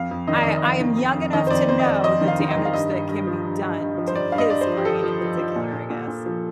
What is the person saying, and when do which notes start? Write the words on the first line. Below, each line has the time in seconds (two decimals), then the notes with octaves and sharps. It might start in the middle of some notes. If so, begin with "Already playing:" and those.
I I am young enough to know the damage that can be done to his brain in particular, I guess.
Already playing: F2 F5
0.11 F2
0.27 D#3 D#5
0.35 D5
0.43 D#3 D#5
0.57 D#5
0.63 F2 F5
0.81 D#3
0.98 F2
1.16 F2
1.33 D#3 D#5
1.47 C5
1.50 F2 D5
1.69 F2 C5
1.80 D#5
1.86 F2 D5
2.03 F2 D#5
2.21 D#3
2.28 F5
2.40 D#3
2.51 D#5
2.56 D#3
2.65 F5
2.74 G2 D#5
2.91 G2
3.09 G2
3.27 F3
3.44 G2
3.62 G2
3.80 G2
3.98 F3
4.07 C5
4.14 G2 D5
4.32 G2 F5
4.38 D#5
4.49 G2 D5
4.61 C5
4.67 F3
4.77 G4
4.85 F3 A4
5.03 F3
5.21 F3
5.38 F3
5.56 A#2
5.73 A#2
5.90 A#2
6.08 A#2
6.26 F3